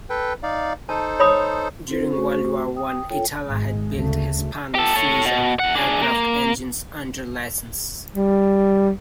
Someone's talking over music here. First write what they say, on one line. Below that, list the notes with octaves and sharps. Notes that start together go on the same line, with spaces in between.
During World War One Itala had built Hispano-Suiza aircraft engines under license.
A4 B4 G5
D#4 D5 F5
D#4 A4 C5 A5
C#5 B5 D#6
C4 F4 A4 C5
A3 F#4 C5 C#6
G5 D#6
F4 A4 C#5 G5
G#1 G#3
D2 C#3 A3
G4 A4
A4 C#5
B2
E2 F#5
D4 G#4
A#3
G3